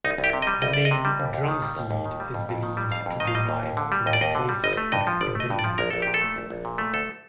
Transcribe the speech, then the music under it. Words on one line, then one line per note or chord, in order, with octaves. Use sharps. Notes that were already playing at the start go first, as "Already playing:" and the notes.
The name Brumstead is believed to derive from the "place of broom".
C2 D#4
C2
G4
C3
D#5
G3
C2 D#5
C2 D5
D#5
C3
G3
D#2
D#2
D#3
G3
D#2
D#2
D#3
G3
F2
F2
D#3
G3
F2 F5
F2
D#3 D#5
F5
G3 D#5
D#2
D#2
D3
G3
D#2 D#5
D5
D#2 D#5
D3
G3
G1 D#5
A3
G2 D#5
F3
G1 D5
A3 D#5
G2
D5
F3
A#1 A#4
A#1 A4
A#2 G4
A4
A3
A#1
A#1
A#2
A3
D2 A4